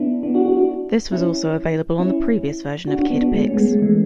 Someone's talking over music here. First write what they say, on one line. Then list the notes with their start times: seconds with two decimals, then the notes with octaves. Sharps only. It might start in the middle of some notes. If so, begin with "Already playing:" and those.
This was also available on the previous version of Kid Pix.
Already playing: B3 D4 E4
0.23 B3 D4
0.34 D4 F#4
0.45 D4 F#4
0.56 D4 F#4
1.12 C#4 E4
2.00 C#4 E4
2.87 D4 F#4
2.98 D4 F#4
3.10 B3 D4
3.21 B3 D4
3.31 G#3 B3
3.42 A3 C#4
3.54 G#3 B3
3.65 G#3
3.73 A3
3.82 E3 G#3